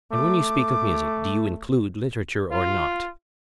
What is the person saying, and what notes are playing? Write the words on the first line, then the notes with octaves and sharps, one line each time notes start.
And when you speak of music, do you include literature or not?
A3 D6
F4